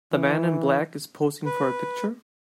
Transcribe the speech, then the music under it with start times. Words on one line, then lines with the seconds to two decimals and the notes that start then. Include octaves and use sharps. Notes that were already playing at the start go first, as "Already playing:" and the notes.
The man in black is posing for a picture.
0.12 E3
1.46 B4